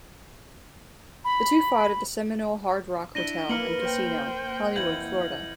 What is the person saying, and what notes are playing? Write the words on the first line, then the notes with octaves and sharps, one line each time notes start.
The two fought at the Seminole Hard Rock Hotel and Casino, Hollywood, Florida.
B5
D4 E4 A#6 D#7 G7
A#3 B4 F6 C#7 F#7
C5 G5
F2 E3 F#5 G6 G#6 F#7